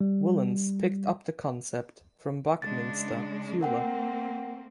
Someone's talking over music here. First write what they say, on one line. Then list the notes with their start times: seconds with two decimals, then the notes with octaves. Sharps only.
Willens picked up the concept from Buckminster Fuller.
0.01 G3
2.62 C#3 G#3 D4 A6
3.61 A3 A#3 C4 A#4 F#5 G5